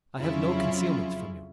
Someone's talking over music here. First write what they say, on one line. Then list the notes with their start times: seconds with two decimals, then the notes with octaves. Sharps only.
I have no concealments from you.
0.19 F2 C#3 F#3 C#4 E4 F4